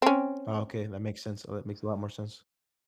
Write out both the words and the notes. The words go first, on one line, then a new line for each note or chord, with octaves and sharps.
Oh, okay, that makes sense. Oh, that makes a lot more sense.
C4 C#4